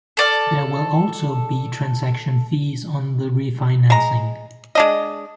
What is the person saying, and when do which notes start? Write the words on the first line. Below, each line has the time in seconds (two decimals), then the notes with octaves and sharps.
There will also be transaction fees on the refinancing.
0.17 A4 D5 F6
3.90 G#3 A#5
4.75 G#3 D4 D#5